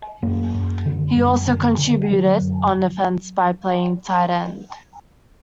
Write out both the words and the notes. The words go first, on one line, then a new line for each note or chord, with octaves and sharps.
He also contributed on offense by playing tight end.
F#2 A#3
F#2
D3
F#2 G3
D3
D3
D3 F#3
F#2